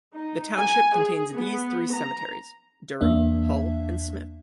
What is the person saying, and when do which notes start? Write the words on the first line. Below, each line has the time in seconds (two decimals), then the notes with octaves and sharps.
The township contains these three cemeteries: Durham, Hull and Smith.
0.15 D#4
0.59 G#5
0.96 G#4
1.36 B3
1.93 A#5
3.01 E2 A#3 D4 E5